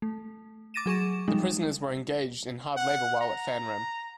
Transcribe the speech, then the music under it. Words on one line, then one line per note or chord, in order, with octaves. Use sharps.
The prisoners were engaged in hard labor while at Fannrem.
A3
D6 A6 A#6 D#7 E7
F#3 G#4 C#6 E7
F3 G3 G#3 D#4
F#5
A#5